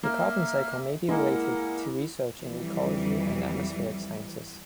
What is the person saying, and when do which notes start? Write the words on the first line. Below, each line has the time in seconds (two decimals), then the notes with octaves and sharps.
The carbon cycle may be related to research in ecology and atmospheric sciences.
0.03 A#3 E5 F6
1.09 G#3 A#3 E4 A#4 F#5
2.37 F2 E3 G3